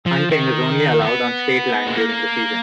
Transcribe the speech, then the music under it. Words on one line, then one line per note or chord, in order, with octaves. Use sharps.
Hunting is only allowed on state land during the season.
F3
D#3
B3
G#3
A#3